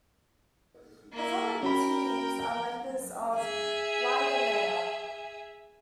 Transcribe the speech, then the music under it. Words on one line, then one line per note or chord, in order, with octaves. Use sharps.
The following teams are members of "Liga Mayor".
A#3 E4
C#4 F#4 A#4 G5 B5
G#4 E5